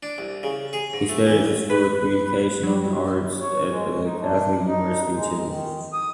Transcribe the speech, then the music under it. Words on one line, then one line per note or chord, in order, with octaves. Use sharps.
He studied at the School of Communication Arts at the Catholic University of Chile.
D4
C2
C#3
G#4
G#2
A3
E3
C2
B4
F#3 G3
C#5
G#3
D#4
D4
D#4
G#3
D#3
D#6